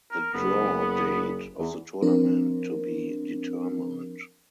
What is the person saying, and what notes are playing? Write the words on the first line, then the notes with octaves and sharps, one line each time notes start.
The draw date of the tournament to be determined.
A#4
F#1 B3
E2
F3 C4 D4 A#4